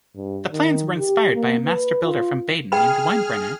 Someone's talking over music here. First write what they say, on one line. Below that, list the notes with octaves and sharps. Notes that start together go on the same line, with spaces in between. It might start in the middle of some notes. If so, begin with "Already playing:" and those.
The plans were inspired by a master builder from Baden named Weinbrenner.
G2
D#3
G4
A#3
B4
F4
G#4 G5 B5 F6